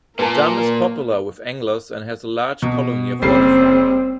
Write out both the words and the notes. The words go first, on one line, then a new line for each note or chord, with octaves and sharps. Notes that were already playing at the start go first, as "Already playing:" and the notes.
The dam is popular with anglers and has a large colony of waterfowl.
A#2 A#3 A#4 B4 G#5 A5
B2
F#1 G3 C4 C7